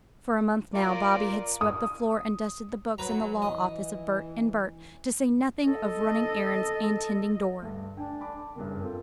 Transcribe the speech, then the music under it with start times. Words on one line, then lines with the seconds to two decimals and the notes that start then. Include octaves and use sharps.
For a month now Bobby had swept the floor and dusted the books in the law office of Burt & Burt, to say nothing of running errands and tending door.
0.74 F4 A#4 D5
1.61 D#6
2.98 F#3 B4 A#5
3.42 E3 D#5
5.67 A4 D#5
7.62 D2 G2
7.97 D4 G5 G#5
8.21 B5 D6
8.56 F#1 G2 C#3 A#4
8.83 C4 F4 A4